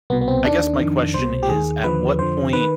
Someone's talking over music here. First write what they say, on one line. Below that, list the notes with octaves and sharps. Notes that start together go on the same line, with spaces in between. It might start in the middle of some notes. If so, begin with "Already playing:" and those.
I guess my question is, at what point
C2 B2 B3
B3
C4
D#2 D#3 D4
F2 D#3
C2 B2 C5
G4
D#2 D#3 G#4
D#2 D3 F3 B4
F2 D3 F3 C5
D#3 B4